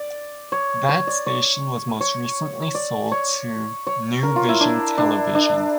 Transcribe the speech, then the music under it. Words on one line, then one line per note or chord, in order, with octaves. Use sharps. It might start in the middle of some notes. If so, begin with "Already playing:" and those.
That station was most recently sold to New Vision Television.
Already playing: D5
C#5
C#5
D5
C#5
C#5
D5
C#5
C#5
A#4
F4
E4
D4
D4
D4